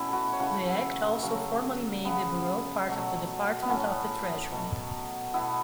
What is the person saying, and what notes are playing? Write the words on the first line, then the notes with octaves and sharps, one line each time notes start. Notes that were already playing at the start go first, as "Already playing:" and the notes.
The act also formally made the bureau part of the Department of the Treasury.
Already playing: B2 A3 C#4 E4
F#4 A4 B4
C#5
C#3 E3 A3 F#4 B4
C#3 F#3 A3
C#3 A3 B3
B2 F#3 A3
B3
A2 F#3 A3 C#4
B2 F#3 A3
B2 A3 B3 E4